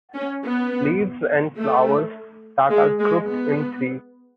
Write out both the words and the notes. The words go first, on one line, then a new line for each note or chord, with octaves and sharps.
Leaves and flowers that are grouped in threes.
C#4
B3
A3
G#3
G#3
B3